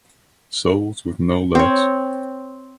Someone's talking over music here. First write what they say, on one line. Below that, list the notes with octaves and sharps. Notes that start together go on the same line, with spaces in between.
Souls with no legs.
C4 C#5